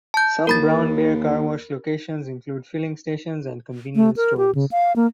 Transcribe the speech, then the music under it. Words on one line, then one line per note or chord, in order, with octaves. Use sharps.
Some Brown Bear Car Wash locations include filling stations and convenience stores.
A5 G6
D#2 A#4 B5 A6
A3
A#4
G4
C#3
F5
A#3